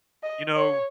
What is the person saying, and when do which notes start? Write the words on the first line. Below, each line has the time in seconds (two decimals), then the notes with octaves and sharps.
you know
0.23 D#5
0.56 C#5